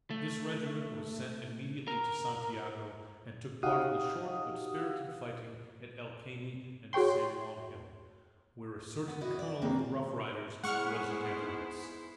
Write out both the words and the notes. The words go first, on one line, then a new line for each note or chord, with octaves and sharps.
This regiment was sent immediately to Santiago, and took part in the short but spirited fighting at El Caney and San Juan hill--where a certain Colonel of the Rough Riders was in evidence.
A3
A#4
D#4 F#4 G4 F5 F#5 D#6
F#4 G#4 C#5 G5 C6
B3
E4 F#4 D5 D#5
D5
D#3 G#3 A#3 C4 D4
G#3 B3 E4 G#4 C5 F#5 C#6 F6
D#4